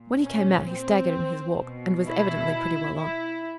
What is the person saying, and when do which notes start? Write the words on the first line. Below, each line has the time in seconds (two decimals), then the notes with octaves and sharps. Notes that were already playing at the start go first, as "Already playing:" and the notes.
When he came out he staggered in his walk, and was evidently pretty well on.
Already playing: A#2
0.22 C#4
0.68 C4
1.60 B2
2.07 E4
2.98 E4